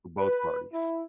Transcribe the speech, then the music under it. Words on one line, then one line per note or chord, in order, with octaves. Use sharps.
For both parties.
B4
E4